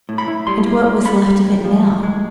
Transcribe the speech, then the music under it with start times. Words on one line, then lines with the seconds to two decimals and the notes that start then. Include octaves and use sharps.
And what was left of it now?
0.09 A2
0.18 B5
0.28 E4
0.47 G3 C6
0.66 A#3
0.87 A#3
1.05 A#3 B5
1.26 G3
1.45 A#3
1.64 F3
1.83 A2
2.03 G#3